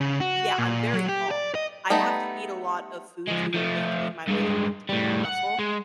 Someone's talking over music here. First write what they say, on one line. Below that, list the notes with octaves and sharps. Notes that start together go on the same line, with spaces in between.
Yeah, I'm very tall; I have to eat a lot of food to maintain my weight and maintain my muscle.
C#3
F#4
A#2
F#3
G4
D5
D#5
G3 A3 B3 D#4
F3 G#3
F3 A3
G2 G#3
A2 G3
F#5
G#3